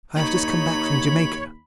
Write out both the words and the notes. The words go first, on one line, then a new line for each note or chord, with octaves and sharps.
I have just come back from Jamaica.
D#2 D#4 C#5 B5